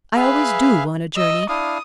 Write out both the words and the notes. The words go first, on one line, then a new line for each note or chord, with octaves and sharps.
I always do, on a journey.
G#4 B4 E5 F5
D#5 E6
D4 E4 F5 D#6